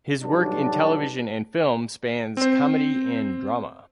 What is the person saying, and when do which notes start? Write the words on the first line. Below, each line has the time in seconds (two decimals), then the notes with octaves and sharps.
His work in television and film spans comedy and drama.
0.23 B1 G2 F#3 G3 D4
2.37 C4 C5